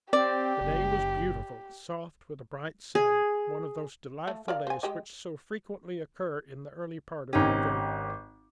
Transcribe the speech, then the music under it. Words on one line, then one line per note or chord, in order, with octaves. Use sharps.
The day was beautiful, soft, with a bright sun, one of those delightful days which so frequently occur in the early part of November.
C4 G4 D5
F#1
G#4
A3
A#4 D5 F5
C5 G#5
G#3 G4 D#5
G#1 C#4 D#4 G4